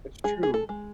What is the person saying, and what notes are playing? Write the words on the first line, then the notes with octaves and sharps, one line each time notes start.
That's true.
G#3 G#4
G#4
A4
G#3